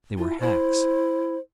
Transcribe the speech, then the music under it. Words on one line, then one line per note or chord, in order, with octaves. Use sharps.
They were hacks.
E4 F4
E4 C5